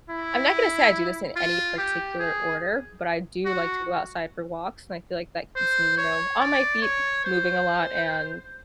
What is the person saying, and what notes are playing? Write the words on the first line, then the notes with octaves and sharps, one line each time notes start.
I'm not gonna say I do this in any particular order, but I do like to go outside for walks, and I feel like that keeps me, you know, on my feet moving a lot, and
E4
F4
G4
G#4
F#4
C5
C#5
D5
C#5
C5